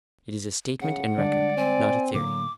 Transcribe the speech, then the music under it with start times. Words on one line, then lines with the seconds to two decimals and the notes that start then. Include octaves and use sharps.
It is a statement and record; not a theory.
0.81 C#3 F#5
1.18 D3 G3 G#3 D4 D5
1.57 C4 G#5
2.14 A2 D3 F#3 A#3 D6